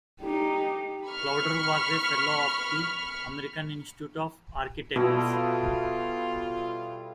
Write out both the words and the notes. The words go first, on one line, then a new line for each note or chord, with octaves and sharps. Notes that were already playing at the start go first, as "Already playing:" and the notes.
Klauder was a Fellow of the American Institute of Architects.
D#4 G4
B5 C#6 F6
B2 G3 E4 F4 A4